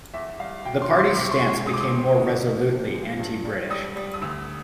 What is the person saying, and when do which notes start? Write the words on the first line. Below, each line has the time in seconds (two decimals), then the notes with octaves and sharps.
The party's stance became more resolutely anti-British.
0.14 E2 E5
0.39 G3 F5
0.65 B2 G5
0.82 C6
0.90 B2
0.98 C6
1.16 C3 D6
1.24 C#6
1.31 C6
1.39 G#3 C#6
1.66 G#3 D#6
1.74 D6
1.81 D#6
1.93 C3
2.17 D3
2.43 F3
2.69 F3
2.95 G#3
3.19 G2
3.45 G3
3.70 G3 D#6
3.96 G3
4.14 D#6
4.21 D2 E6